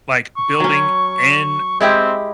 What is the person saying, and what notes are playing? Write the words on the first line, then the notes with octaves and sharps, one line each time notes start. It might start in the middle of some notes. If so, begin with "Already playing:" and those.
like, building and
C#6
F#3 C#4
G#3 C4 E4 G4